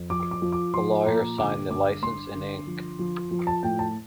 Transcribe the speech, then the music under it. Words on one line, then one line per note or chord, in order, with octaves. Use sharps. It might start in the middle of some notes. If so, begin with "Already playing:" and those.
The lawyer signed the licence in ink.
Already playing: F2
F3 D6
D6
F3
D6
F3 C6
A#2 A#5
D3 D6
G2 D6
G2 C6
D3
F3
F3
F3
A5
A2 G5
A5